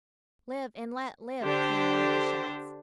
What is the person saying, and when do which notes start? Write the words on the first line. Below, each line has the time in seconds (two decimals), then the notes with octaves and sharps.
"Live and let live!" came one of the shouts.
1.43 D3 D4 G4 C5